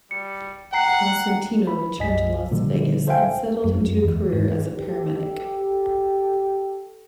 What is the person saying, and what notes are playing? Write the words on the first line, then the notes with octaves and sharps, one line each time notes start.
Costantino returned to Las Vegas and settled into a career as a paramedic.
G3 C#7
F#5 G5 A#5 C7
B5
B1 F#2 D#5 G#5 B6
A#2 D3 F3 G3
A4 C5 E5 F5 G5 G#5
F#2
F#2
E2
G#2
G4 A4